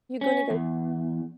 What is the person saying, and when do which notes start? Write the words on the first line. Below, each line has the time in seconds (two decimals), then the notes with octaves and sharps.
you gonna go"
0.21 C#4
0.50 E2